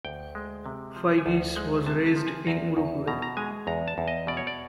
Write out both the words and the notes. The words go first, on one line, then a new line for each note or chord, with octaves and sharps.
Fygi's was raised in Uruguay.
D2 G5
G#3
C3
F3
G#5
D2 A5
G#3
C3 A5
A5
F3
G#5
E2 A#5
E2
B2 A#5
A#5
G#3 G#5
E2 A#5
A5
E2
D#5
B2 D5
C#5
D5